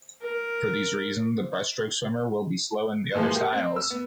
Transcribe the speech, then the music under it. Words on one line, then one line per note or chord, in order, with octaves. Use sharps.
For these reason the breaststroke swimmer, will be slow in the other styles.
A#4
A#2 E3 F3 G#3 A#3
G4
C4
E6
B3